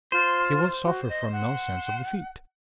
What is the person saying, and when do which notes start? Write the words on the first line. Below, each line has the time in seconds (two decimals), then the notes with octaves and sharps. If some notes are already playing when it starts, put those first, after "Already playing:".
He will suffer from no sense of defeat.
0.12 F4 C5
0.85 F#4
1.09 D#5
1.33 F#5